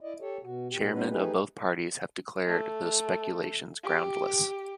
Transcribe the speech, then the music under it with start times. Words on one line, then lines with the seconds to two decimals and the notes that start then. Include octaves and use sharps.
Chairmen of both parties have declared those speculations groundless.
0.01 E4 D5 D#5
0.21 G4 A4 C#5
0.43 B2 F#4
0.71 A#2 G4
0.92 G3 B3 C#4 D#4 B4
1.10 A3 D#4 G4 G#4 B4
2.47 A3
3.84 G4